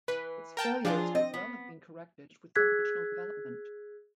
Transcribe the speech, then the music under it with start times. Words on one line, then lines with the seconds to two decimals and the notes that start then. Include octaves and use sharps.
Its failures could well have been corrected with some additional development.
0.08 E3 B4
0.57 A#4 G5 A5
0.85 F3 F#3 D4 F4 G#4
1.15 C4 D#5
1.34 B3
2.55 G#4 E6 F#6 G#6 B6